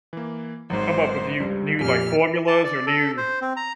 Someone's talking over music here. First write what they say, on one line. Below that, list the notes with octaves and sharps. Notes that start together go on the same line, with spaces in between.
come up with you new like formulas or new
E3 A#3
G#1 G#2 F#3 C5
C#2 G2 G3
F2 A#2 G4 G#5 F6 B6
A5
D5
A4
C5
C4
A#5